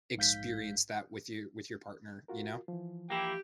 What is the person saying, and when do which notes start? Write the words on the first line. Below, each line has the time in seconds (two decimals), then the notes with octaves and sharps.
experience that with you with your partner, you know? Yeah.
0.17 A#1 G#2 F5 G6 B6
2.28 F4 F#4 A#4
2.68 E3 F3
3.10 A#3 E4 G4 G5